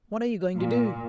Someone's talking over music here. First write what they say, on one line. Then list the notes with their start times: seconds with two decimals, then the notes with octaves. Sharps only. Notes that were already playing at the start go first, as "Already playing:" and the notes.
"What are you going to do?"
0.56 A#2